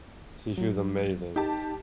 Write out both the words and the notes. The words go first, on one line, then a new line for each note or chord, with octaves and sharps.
Sushi is amazing,
F#3
D#4 G4 A5